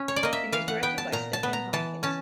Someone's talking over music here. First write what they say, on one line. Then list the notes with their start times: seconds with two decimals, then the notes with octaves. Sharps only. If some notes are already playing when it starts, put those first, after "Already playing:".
It was directed by Stephen Hopkins.
Already playing: C#4
0.08 C#5
0.16 D5
0.23 A#3 D#5
0.33 E5
0.52 E3 F5
0.68 F#5
0.83 B3 G5
0.98 A5
1.12 A#2 A#5
1.33 A5
1.43 B3
1.53 A#5
1.73 E3 A5
2.03 C#4 A5